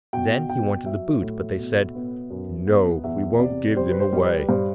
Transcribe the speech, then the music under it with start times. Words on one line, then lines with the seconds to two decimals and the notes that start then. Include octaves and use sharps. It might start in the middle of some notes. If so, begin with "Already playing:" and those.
Then he wanted the boots, but they said, 'No, we won't give them away.
0.13 B2 G5
0.49 B2 G5
0.86 F#3 E5
1.22 A2
1.58 B2
1.95 B3
2.31 F#2
2.67 B3
3.04 E2 E5
3.40 C3 D5
3.76 G3 C5
3.91 B4
4.00 C5
4.13 G3
4.25 B4
4.49 G2 C5